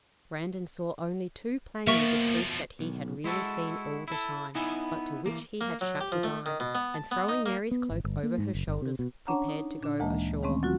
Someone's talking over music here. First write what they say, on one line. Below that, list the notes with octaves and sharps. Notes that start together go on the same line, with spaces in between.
Brandon saw only too plainly the truth that he had really seen all the time, but to which he had shut his eyes, and throwing Mary's cloak over her shoulders, prepared to go ashore.
B2 F3 A#3 E5 C#6
B1
G#3 E4 F#4 A4
E4 A4
B3 D#4 E4 G#5
E3 A#3
A#3
F#3
G4
F3
A3
D#3
B2
B3
A5
B3
D#4
A#3
B3
G#1
G1
A#3
G#2
F#1
G1
C3
B2
C#4 D4 C#5 F#5 A5 A#5
D#4
A#2 D4
D2 E3 G#3 A#3 D#5 A5
D#3 G#3 A3 C4 C#4
F#3 C#4 F4 F#4